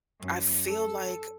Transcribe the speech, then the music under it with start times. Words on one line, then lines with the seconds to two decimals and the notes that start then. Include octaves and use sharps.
I feel like
0.20 F#2
0.68 A4